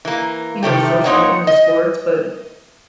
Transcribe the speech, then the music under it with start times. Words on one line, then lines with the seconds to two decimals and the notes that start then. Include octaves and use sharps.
you know, social and into sports, but
0.05 E3 A#3
0.63 C3 D#3 A3 G4
1.04 A#3 C4 D#4 C#5 F#5
1.47 D#5